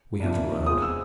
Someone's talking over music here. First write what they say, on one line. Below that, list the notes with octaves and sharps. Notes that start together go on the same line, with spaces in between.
We have learned.
F2 C3 F3 A#3 D4
B2 G#3 C4 F4 D#6
E6